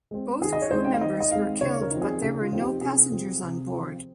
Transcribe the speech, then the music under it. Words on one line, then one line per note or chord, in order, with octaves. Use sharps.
Both crew members were killed, but there were no passengers on board.
G#3 C4
D#3 G#4
D#5
C#5
G#3 C4 D#4 C5
G5
F5
D#3 D#5
D#5
G#3 C4 D#4 F5
C#3 C#5
A#4
F3 C4 D#4
G#4
C#3 G#4
F4
F3 C4 D#4 F4
G4
C3 G#4
F3 C4
C3
F3 C4